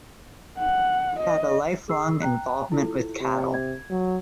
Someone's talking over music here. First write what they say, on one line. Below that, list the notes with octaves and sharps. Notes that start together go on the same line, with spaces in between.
He had a lifelong involvement with cattle.
F#5
D#5
G#4 E6 C7
G5 A#5 F#6
E4 F4 A4
C3 G4
G#6
F#3